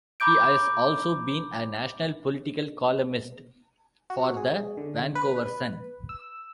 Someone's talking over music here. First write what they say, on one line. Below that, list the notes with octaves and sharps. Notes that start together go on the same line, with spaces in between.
He has also been a national political columnist for the "Vancouver Sun".
A#5 B5 D6 G6 D7
F#4
G#4
D3
B4
E6